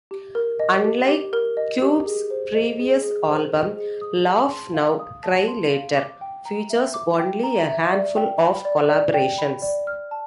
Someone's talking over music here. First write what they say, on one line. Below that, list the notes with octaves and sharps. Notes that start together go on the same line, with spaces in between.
Unlike Cube's previous album, "Laugh Now Cry Later" features only a handful of collaborations.
G4
A#4
D#5
G4
G4
A#4
D#5
G4
G#4
C5
D#5
G#4
G#4
C5
D#5
G#4
D#6
A5
C6
F5
D#6
A5
C6
F5
D6
G5
A#5
E5
D6
G5
A#5
E5
D5
G5
B5
D5
D5
G5
B5
D5
F6
A5